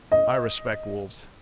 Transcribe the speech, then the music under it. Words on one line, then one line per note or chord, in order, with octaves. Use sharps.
I respect wolves.
D#5